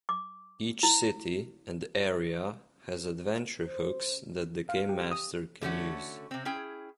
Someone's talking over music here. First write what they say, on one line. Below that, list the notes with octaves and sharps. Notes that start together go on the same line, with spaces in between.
Each city and area has adventure hooks that the gamemaster can use.
D6
E4
C5
F5
G4
D#6
D3 A3 C#4 F#4
C3 C4
C#4 E4 G#4 G5